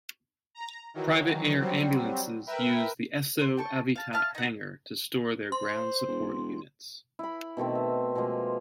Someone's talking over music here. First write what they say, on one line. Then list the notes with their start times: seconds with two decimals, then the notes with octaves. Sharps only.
Private air ambulances used the Esso Avitat hangar to store their ground support units.
0.55 A#5
0.94 D#3 E3 F#3
1.58 F#3 G3 C4
2.47 A#4 B4 E5 G5
3.41 C5
3.57 G5 A5 C#6
3.96 F5 A5
4.13 E5 F5 A5 F6
4.35 D#4 F#5
5.52 C5 C6
6.08 E1
7.19 E4 B5
7.57 B2 D#3 A3 C4
7.75 E5
8.15 B2 F3 G#3 A#3